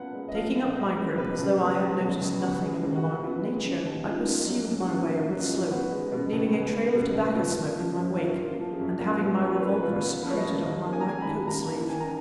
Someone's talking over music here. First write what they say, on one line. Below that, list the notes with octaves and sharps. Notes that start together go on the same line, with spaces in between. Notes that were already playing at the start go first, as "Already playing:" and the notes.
Taking up my grip, as though I had noticed nothing of an alarming nature, I pursued my way up the slope, leaving a trail of tobacco smoke in my wake; and having my revolver secreted up my right coat-sleeve.
Already playing: A#2 B3 F#5
G#3
D#5
F3 F5
A#2
B3 D#5
G#3
B2 B4
C#2
B3 G#4
G#3
F#4
B2
C#2
B3 F#4
G#3
G#4
C#3
F#4
D#2
B3 F4
G#3
C#3 D#4
D#2
G#2 F4
D#4
A#3 F4
F#3
G#2
F#4
G#2 F4
A#3
D#4
F#3
F4
G#2
B3 F#4
G#3
B2
C#2
B3 G#4
G#3
B2
B4
C#2
F#2 F4
A#3
F3
F#2
F#2 F4
A#3
F4
F3
G#4
F#2
A#2 A#4
B3
F3 C#5
B4
A#2 A#4
B4
A#2 B4
B3
F3 B4
C#5
D#5
A#2
D#2
A#3
G#5
A#5
D#3 G#5
B5
D#2
D#2 A#5
A#3
D#3 G#5
A#5